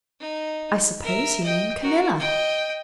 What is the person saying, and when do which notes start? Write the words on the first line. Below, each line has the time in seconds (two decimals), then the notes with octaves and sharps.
"I suppose you mean Camilla?"
0.20 D#4
1.03 A#4 E5
1.43 D#5 G5
1.82 F#4 A#4
2.19 D#5 G5